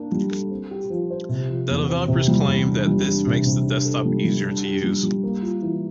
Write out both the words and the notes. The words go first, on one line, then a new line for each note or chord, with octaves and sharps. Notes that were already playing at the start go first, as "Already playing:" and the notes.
The developers claim that this makes the desktop easier to use.
Already playing: A#3 D4
G3
A4
C4
G4
F3
C5
C3
F3
E2
C4
C3
G3
E2
D4
G3
D4
C3
C3
D4
A4
G3
G3
D4
G4
G3
G3
A#3
F4
E3